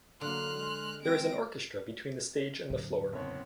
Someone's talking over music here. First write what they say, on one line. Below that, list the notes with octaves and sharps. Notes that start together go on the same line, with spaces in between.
There is an orchestra between the stage and the floor.
D3 F#3 A#3 C6 F6 F#6
G#3
G#3 C4 A#6 D7
E1 A2 D3 F#3
F#1 B3 C4 C#5